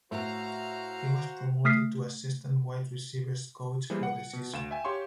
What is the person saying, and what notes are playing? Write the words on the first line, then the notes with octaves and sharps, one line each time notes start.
He was promoted to assistant wide receivers coach for the season.
A2 F#4 C5 F5 F#5 A#5
A3 D#6 F6 B6 C7
E3 G3 A#3 G#4 B4 C5
F#5
B2
D2 F5 E7
E5 G5 G#5
G4 C#5 F5 C6 C#6